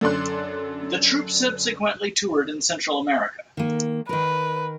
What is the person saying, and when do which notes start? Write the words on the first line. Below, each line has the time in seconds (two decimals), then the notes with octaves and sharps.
The troupe subsequently toured in Central America.
0.01 F#2 D3 A4 D5 C6 F#6
3.57 D#3 A#3
4.09 D#3 A#4 B4